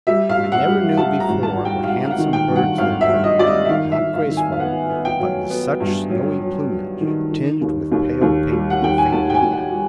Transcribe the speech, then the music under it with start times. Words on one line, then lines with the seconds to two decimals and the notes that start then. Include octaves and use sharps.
I never knew before what handsome birds they were; not graceful, but with such snowy plumage, tinged with pale pink and faint yellow.
0.07 G3 E5
0.29 F5
0.37 G2
0.52 F#5
0.67 G3
0.97 G3 A5
1.20 A#5
1.28 G#1
1.43 A5
1.58 G3
1.65 G5
1.84 F5
1.88 G3 F#5
2.05 F5
2.11 F#5
2.18 D#3
2.33 G5
2.48 G2
2.56 F#5
2.78 G#1 F5
3.01 E5
3.09 G2
3.24 D#5
3.39 G3 D5
3.47 D#5
3.65 E5
3.69 D#3 F5
3.92 E5
3.99 D#3
4.14 F5
4.30 D#3
4.37 G#5
4.52 F5
4.59 B3 F#5
4.90 B3
5.05 G5
5.20 F#3
5.50 B3
5.80 G2
6.10 F#3
6.40 F#3
6.71 F#3
7.01 D#3
7.31 D#3
7.61 D#2
7.92 D#2
8.21 D#2
8.52 G3
8.70 F#5
8.82 D#2 G5
8.98 G#5
9.12 D#2 A5
9.30 G5
9.35 G#5
9.42 D#2
9.52 F#5
9.57 G5
9.72 G3